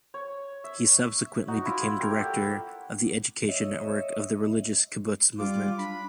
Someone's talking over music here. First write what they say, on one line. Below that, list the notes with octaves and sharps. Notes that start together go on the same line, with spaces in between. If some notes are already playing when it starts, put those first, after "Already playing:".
He subsequently became director of the education network of the Religious Kibbutz Movement.
C#5
E5
D#4 F#4
E4 F4
G4 A#4 C#6
G4 A4 F#5
C#5 D#5 E5
G3 F4 D6
D4 B5